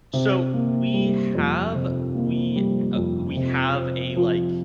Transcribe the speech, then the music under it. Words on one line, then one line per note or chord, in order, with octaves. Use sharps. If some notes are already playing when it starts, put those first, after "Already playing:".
So, we have we, uh we have a, like,
C3
A#3
G3
F2
C3
A#3
G3
F2
C3
C4
F3